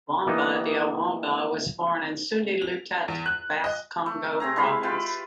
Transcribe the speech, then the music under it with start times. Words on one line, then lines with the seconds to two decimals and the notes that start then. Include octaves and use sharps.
Wamba dia Wamba was born in Sundi-Lutete, Bas-Congo Province.
0.27 E3 G3 A#3 B3 D#4
2.62 F7
3.08 E2
3.26 F#6
3.64 D#5
4.06 A3
4.40 C3 C4 G#4 A#5
4.56 E3 G#3 B4 F5
4.83 F4 G4 B4